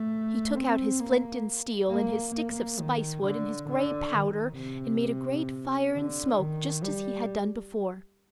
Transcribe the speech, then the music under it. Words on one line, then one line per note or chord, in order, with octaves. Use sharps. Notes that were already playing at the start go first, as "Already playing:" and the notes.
He took out his flint and steel, and his sticks of spice-wood and his gray powder, and made a great fire and smoke just as he had done before.
Already playing: A3
C4
A#3
A#3
A#3
D#3
D3
D3
D#3
C3
D3
D#3
G3